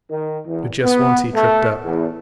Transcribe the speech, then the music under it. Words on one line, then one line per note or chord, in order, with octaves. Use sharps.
But just once he tripped up.
D#3
E2
B3
A3
E2